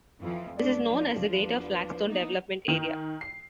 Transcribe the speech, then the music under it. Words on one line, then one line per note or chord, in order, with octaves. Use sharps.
This is known as the Greater Flagstone development area.
F2 E3 F3
G#3 A3 D4 D5
E2 F3 D4
B4
A#3 B3 D#4
D#3
C7